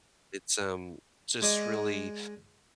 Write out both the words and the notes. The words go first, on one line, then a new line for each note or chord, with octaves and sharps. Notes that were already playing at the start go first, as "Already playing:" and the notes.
it's, um, just really
G#3 G#4 D5 D#5